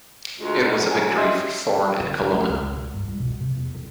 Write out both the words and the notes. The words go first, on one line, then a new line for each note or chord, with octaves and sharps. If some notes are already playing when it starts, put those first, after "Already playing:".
It was a victory for Thorn and Colonna.
D2 G#3 F4
F#3
D2 G#5
G3 D#5 E5 C6
D3
G1
A3
C#2
B2
G2
C#2
B2
C3
E2
C4